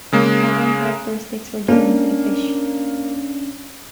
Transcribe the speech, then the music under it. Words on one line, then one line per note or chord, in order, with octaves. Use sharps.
The following characteristics were given to the fish.
C#3 G#3 A#3
A#3 C#4 D4